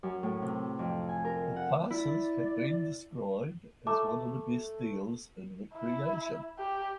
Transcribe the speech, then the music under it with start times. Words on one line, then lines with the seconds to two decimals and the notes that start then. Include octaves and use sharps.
The passes have been described as one of the best deals in recreation.
0.03 F#2
0.23 A2
0.42 C3
0.79 F2
1.09 G#5
1.25 A#4
1.56 F#5
1.90 E4 D5
3.87 A3 A#5 D6
5.74 E4
6.58 G4